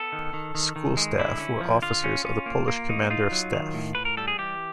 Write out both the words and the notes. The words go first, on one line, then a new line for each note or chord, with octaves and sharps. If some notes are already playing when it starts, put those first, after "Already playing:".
School staff were officers of the Polish Commander of Staff.
Already playing: B3 A4
D#3
D#3
D#3
D#3
G#3
D3 E4
C#4
F3
D3 F4
C#4
C#4
A#3
A#3
D#4
D#4 F4
F#3
D#3
A2
A2 B4
A#4
G3 A4
G#4
E3 G4